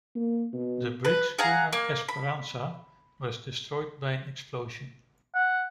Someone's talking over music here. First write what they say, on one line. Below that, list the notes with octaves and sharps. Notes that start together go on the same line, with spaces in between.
The brig-schooner "Esperanza" was destroyed by an explosion.
A#3
B2
B4
G#4 F5 F#5 A#5
A#3
B5
F#5